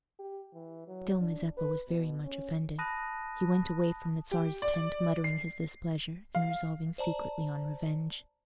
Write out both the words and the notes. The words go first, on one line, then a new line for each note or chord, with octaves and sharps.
Still, Mazeppa was very much offended. He went away from the Czar's tent muttering his displeasure, and resolving secretly on revenge.
G4
E3
F#3
D4
B4
B2
C#4
A5 B5 D#6 F#6 A#6 D#7
G4
D5
C7
F5
C5 D5 A5 A#5